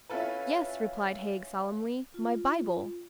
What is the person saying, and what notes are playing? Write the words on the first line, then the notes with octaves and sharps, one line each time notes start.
"Yes," replied Haig solemnly, "my Bible!"
C#4 E4 F4 A4 B4
F4